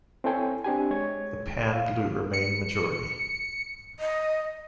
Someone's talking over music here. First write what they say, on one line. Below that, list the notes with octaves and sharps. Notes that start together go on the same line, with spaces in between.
The pan-blue remained majority.
C4 E4 A4 C#5 G5 G#5
C4 D4 G4 G#5
G#3 C#5 G#6
F5
C#7
D#5